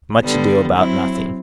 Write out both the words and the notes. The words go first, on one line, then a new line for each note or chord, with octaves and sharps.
Much Ado about Nothing.
D3 G3 B3
F#3 C4 E4